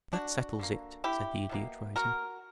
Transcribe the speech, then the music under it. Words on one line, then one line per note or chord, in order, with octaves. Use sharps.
"That settles it," said the Idiot, rising.
D4 F#4
D3 A#3
E4 G4
B2 F#3 A#3
F#4 A#4